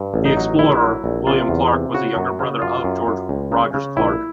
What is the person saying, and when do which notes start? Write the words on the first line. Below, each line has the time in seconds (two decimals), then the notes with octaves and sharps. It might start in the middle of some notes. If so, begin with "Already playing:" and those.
The explorer William Clark was a younger brother of George Rogers Clark.
Already playing: G2
0.14 A1
0.25 D#4
0.37 F#3
0.59 A#1 E4
0.81 F#3
1.04 A#1
1.27 C3 F4
1.49 E2
1.71 C3
1.94 C#3 F#4
2.17 F#2
2.39 C#3
2.62 F#2 F4
2.84 F#2
3.07 F#2
3.29 C#2
3.52 C#3
3.74 C#3
3.97 A#1 E4